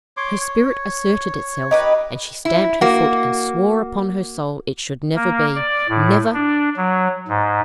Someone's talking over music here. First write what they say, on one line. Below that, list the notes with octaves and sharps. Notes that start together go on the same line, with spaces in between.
Her spirit asserted itself, and she stamped her foot and swore upon her soul it should never be; never!
C#5 C6 D6
C#5
D#4 G4 B4
E4
A#3 F#4
A#3
D5
A2
D4
F#3
G#2